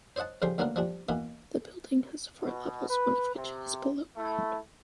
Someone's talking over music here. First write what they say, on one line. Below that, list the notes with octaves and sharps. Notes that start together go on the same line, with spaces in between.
The building has four levels, one of which is below ground.
C5 C#5 D#5 F#5 A5
F2 C#3 F3 G3 G5 C6
D2 F#3 A#3 B3 D4 A#4
F3 G3 D4
B2 E3 A#3 B3
B2
B4
C3
A3 E4